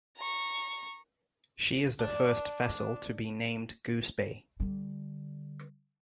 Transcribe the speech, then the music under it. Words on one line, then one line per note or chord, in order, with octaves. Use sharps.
She is the first vessel to be named "Goose Bay".
A#5 C#6
D4
D3 G3